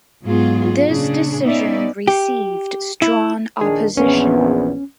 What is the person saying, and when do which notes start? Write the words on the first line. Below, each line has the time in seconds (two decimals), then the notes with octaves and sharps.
This decision received strong opposition.
0.23 G#2 F#3 B3 F4 G#4
0.88 A#2 C#3 C#4 D4 G#4
1.42 B3 C#4 D#4 D5 E5
2.07 G4
3.02 E4
3.61 A#1 D#3 D4 G#4
3.97 A#1 E2 B3 C#4